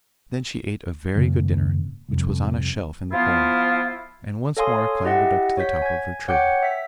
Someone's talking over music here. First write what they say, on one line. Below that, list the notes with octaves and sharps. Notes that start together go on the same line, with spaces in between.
Then she ate a very good dinner, which was on a shelf in the corner, and once more clambered up to the top of her tree.
G#1 F#2 C#3 A#3
C2 F2
F3 B3 E4 F4
A4 C#5 F5 G#5 C6 D#6
E4 G4 D#5 E5 F#5
C#5 F#5 G6 B6
G#5 G#6
C#5 F#5 G5 D6 G6 C#7
E5 B6